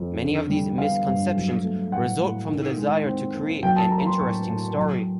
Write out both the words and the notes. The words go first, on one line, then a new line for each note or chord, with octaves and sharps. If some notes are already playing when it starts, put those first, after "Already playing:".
Many of these misconceptions result from the desire to create an interesting story.
Already playing: F2
D3
G3
B3 F5
G2
F#3
A3
A2 F#5
A2
D#3
G#3
C4
D#2
F#3 G5
A5
A#3 A#5
B5
C6
A2 C#6
A2
F#3